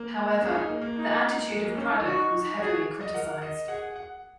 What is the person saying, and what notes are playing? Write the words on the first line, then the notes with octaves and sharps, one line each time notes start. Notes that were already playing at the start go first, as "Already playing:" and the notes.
However, the attitude of Cradock was heavily criticised.
Already playing: A#3
C#4 G#4
D#4
A#3
A#3
D#4
G#3
A#3
C#4
D#4
D#4 F#4
D#4
F#4 G#4
D#5
A#4 F#5
D#5
G#4 F#5
F#5